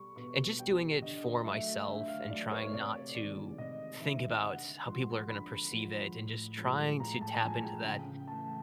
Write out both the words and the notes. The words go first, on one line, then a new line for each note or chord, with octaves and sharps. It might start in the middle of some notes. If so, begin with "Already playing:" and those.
and just doing it for myself and trying not to think about how people are gonna perceive it and just trying to tap into that
Already playing: B2 G3 B5 C#6
B2 C#6
G3 G5
D3 D#5
F#3 A3 E5
D3 E5
F5
F#3 A3 D5
C#5
C3 D5
D#3 G#3 D5
C3 D#5
D#3 G#3 E5
D3 F#5
F3 G#3 C6
D3 B5
F3 G#3
A2
F3 G#3
A2 A#5
A5
F3 G#3 G#5
G5
C#3 G5
E3 A3 A5